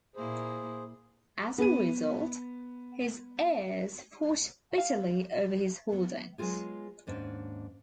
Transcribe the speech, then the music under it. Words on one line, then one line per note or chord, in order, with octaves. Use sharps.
As a result, his heirs fought bitterly over his holdings.
A#2 A#3 E4 G#4 C5
B3 D#7
F5
B3
F#3 G#3 B3 C4 F4 G#4
D#2 G#2 C#4 D4